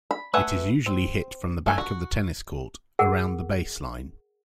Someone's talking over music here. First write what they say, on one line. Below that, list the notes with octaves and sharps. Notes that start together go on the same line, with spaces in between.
It is usually hit from the back of the tennis court, around the "baseline".
B5
A3 B4 E5 F#5 G#5
C4
A3 G#5
F#4
G#4 A#4 F#5